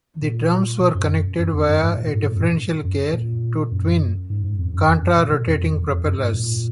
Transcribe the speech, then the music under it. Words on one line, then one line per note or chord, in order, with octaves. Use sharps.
The drums were connected via a differential gear to twin contra-rotating propellers.
A#2
B2
F#2
F#2
F2
F#2
G#2
A#2
A#2
G#2
A#2
F#2
F#2
A#2
F#2
G#2
G#2
F2
F#2
F2
F#2
A#2
B2
F2
F2
F2
F#2
G#2
A#2